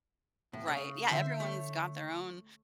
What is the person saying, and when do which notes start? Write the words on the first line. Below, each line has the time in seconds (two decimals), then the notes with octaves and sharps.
Right, yeah, everyone's got their own
0.53 A2
0.68 C#3
1.11 D3 C5 E5
1.40 A3 C#5